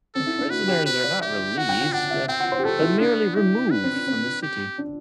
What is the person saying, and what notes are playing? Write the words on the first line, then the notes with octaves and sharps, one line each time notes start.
The prisoners are not released, but merely removed from the city.
C4 A4
E4
D4
F#4 B4
G4
B4 C5
D5
G4 E5
F#4 F#5
G5
G5
D4 F#5
E5
C4 G5
F#5
C5
G4
A3 A4
E4
B3 D4
E4 G4
D4 B4
C4
D4
C4
G4
D4